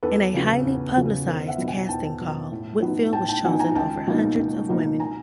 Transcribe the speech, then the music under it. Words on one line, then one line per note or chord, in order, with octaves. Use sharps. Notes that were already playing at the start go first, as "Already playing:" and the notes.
In a highly publicized casting call, Whitfield was chosen over hundreds of women.
E2 A4 B4
C#3 F#3
E2
C#3 F#3
E2 A#4 C5
E5 F#5
B2 F#3 B3
F#5 G#5
E2 G5 A5
B2 F#3 B3
A2
F#3 B3 D#4
A2 G5 A5
G5 A5
F#3 B3 D#4 F#5 G#5
G#5 A#5
C#2 G5 A5
B2 F#3 A#3 D#4
C#2
B2 F#3 A#3 D#4
G#5 A#5